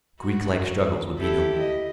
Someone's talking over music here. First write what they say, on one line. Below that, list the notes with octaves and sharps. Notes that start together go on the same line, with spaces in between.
Greeklike struggles would be no more.
F#4
E4 G4 A4
D#5